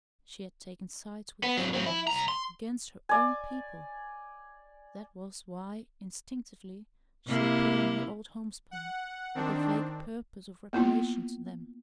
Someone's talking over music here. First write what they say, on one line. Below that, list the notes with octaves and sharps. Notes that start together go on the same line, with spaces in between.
She had taken sides with "furriners" against her own people. That was why, instinctively, she had put on her old homespun with a vague purpose of reparation to them.
B3
F#3 C4
F#3 C4
E4
C2 A#5
C6
D5 G#5
C3 A#3 E4
F#5
D#3 C4 D4
A#3 B3 E4 F4